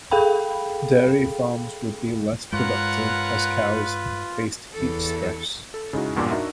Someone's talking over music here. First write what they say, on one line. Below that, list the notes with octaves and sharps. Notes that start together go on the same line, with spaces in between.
Dairy farms would be less productive as cows faced heat stress.
G#4 A4 F5 G5 B5
G2 G#3 F4 A#4 B4 C#5 F#5
E2 A4
A4
C#3 G#3 D#4 E4 F#4
A1 E2 G2 A#2 C6 D6
D4 D#4 F#4 A#4 E5